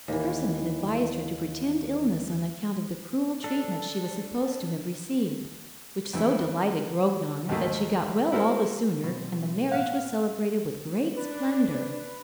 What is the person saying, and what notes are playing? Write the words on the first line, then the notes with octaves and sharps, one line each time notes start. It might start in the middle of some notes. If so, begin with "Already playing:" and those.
Percinet advised her to pretend illness on account of the cruel treatment she was supposed to have received; which so delighted Grognon, that she got well all the sooner, and the marriage was celebrated with great splendour.
D#2 E3
D4 A4
F2 E3 E4
D#2 G#2 D#3 F#3 A3 A#3
E4 F#4 A4 A#4 C5
B2 F#3 C4
A2 B3 F5 F#5
D4 B4